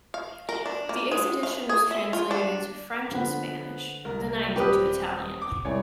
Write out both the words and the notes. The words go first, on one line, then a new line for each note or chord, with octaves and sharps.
The eighth edition was translated into French and Spanish, the ninth into Italian.
F5
A#4
D4
A#3
G#3
F5
G#4
E5
F4
D4
D3 F3 B3 F#5
C2 A#4
D#1 G3 C4 G4 B4 D#6
D6
C2 C#5 D5 G#5